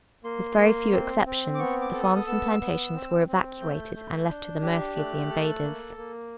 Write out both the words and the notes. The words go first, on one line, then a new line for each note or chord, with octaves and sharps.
With very few exceptions, the farms and plantations were evacuated and left to the mercy of the invaders.
A#3 C6
A#3
C4
C4
D6
B3 C#6
D6
A4
D#6
D#6
B3 E6
B3
C4
C4
A3 G6
A3
D4
G4
A3 F#6
A4
A#3
A#3